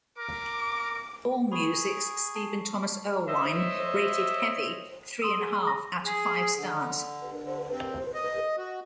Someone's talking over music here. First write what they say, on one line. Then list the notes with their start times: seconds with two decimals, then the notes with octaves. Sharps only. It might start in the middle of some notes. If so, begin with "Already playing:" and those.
Allmusic's Stephen Thomas Erlewine rated "Heavy" three-and-a-half out of five stars.
0.18 A#4 D6
1.52 G#4 B5 C#6
2.35 A5 D#6 C7
3.28 C5 C#5 D#5 E5
5.22 C6 D#6 E6
5.37 G#4 D#7
5.67 A#6
6.05 G#4
6.56 D3
7.42 D3
7.72 C4
8.14 D#5
8.58 F#4